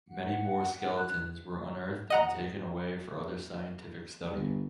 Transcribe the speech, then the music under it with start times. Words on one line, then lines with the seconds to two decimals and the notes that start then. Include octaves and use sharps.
Many more skeletons were unearthed and taken away for other scientific study.
0.11 F#5
0.97 F#6
2.10 D#5 F#5 A#5
4.32 G1